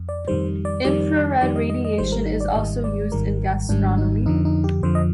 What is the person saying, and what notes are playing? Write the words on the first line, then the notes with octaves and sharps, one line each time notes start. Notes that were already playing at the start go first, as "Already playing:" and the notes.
Infrared radiation is also used in gastronomy.
Already playing: F2
D5
F2 D#3 G3 C5
D5
F2 D#3 G3 D5
F2 D#3 G3 D5
D#5
D#5
D#5
G#1 G#2 D#3 G3 C5
A#4
D#4
D5
G#1 G#2 D#3 G3 D#5
D5
G#1 G#2 D#3 G3 A#4
G#1 G#2 D#3 G3 D4
D#4
F2 D3 F3 D#4
D#4
G4
F2 D3 F3 C5
D#5